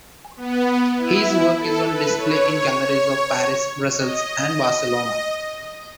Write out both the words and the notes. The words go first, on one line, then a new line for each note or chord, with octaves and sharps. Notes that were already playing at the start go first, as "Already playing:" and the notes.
His work is on display in galleries of Paris, Brussels and Barcelona.
B3
E4
A4
B4
C#5
D#5